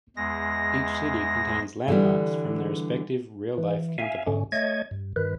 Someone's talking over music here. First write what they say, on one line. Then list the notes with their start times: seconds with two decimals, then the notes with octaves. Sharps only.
Each city contains landmarks from their respective real life counterparts.
0.16 E2 G#3 A#6
1.88 D3 E3 G3
3.58 E3
3.98 E5 F5 G#5
4.27 G#2 D3 C#4
4.52 A3 C#5 D#5 G#6
4.91 G2
5.16 G2 D#3 B4